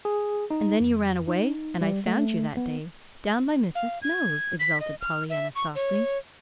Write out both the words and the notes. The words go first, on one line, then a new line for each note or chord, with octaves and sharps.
"And then you ran away and I found you that day, down by Mrs. Snow's," exulted Pollyanna, softly.
G#4
D#4
F2
D#4
G3
A3
B3
F5
G#6
B6
D#5
F6
E5
C#6
C#5